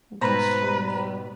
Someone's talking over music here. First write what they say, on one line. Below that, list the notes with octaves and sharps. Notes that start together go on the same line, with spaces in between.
That's true, yeah.
G#2 B2 B4 C5 A#5 B5